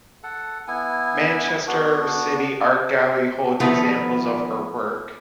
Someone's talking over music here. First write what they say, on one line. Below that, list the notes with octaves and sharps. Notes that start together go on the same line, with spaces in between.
Manchester City Art Gallery holds examples of her work.
A4 F#5
B3 E4 G#5
B3 D4 F#4
D#3 F3 A3 B3 E4 F4